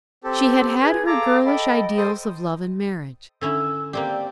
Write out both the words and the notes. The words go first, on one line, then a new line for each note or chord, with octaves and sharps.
She had had her girlish ideals of love and marriage.
C4 G4 A4
G#4 B4 G#6
A4 F5 A#5 D6
A4 D#5 G5 B5
A4 C5 D#6
D3 C#4 E4 E6
A#3 C4 G4 D5